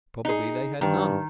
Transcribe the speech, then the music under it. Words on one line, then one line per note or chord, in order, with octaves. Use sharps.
Probably they had none.
D#4 G#4
G2 D#3